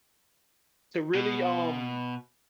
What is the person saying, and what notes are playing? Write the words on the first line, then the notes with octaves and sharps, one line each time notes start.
to really, um,
B2